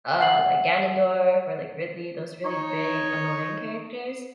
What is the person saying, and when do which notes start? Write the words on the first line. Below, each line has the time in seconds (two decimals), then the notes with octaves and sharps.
uh, like Ganendorf or, like, Ridley, those really big annoying characters,
0.18 E5 F#5 C7 F#7
2.45 D#4 C#5